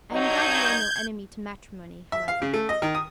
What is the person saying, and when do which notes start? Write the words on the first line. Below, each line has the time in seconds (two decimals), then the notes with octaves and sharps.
I am glad you are no enemy to matrimony, however.
0.12 G2 F#3 D#4 G6 G#6
2.12 E5
2.28 F5
2.42 C#3
2.54 A3
2.69 D#5
2.82 D#3
2.95 D#6